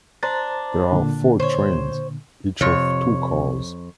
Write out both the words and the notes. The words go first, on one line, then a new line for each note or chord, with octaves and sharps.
There are four trains, each of two cars.
D4 C5 A#5 A6
A#2 D3
C5 C#5
F2 C3 C#5